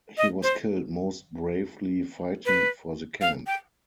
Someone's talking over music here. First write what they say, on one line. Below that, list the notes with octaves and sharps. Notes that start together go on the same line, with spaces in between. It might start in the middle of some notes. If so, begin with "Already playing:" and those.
He was killed most bravely fighting for the camp.
D#5
C5
B4
F5
G5